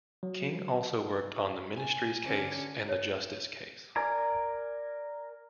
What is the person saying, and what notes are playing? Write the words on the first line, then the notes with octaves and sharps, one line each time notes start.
King also worked on the Ministries Case and the Justice Case.
F#3
G#5
D3 C#4
C#5
A#4 D5 G#5 A#5